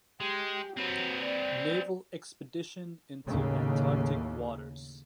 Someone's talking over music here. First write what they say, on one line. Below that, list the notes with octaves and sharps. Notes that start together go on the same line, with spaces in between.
Naval expedition into Antarctic waters.
G#3 G4
F#3 C4 B4
D5
D#2 A2 C#3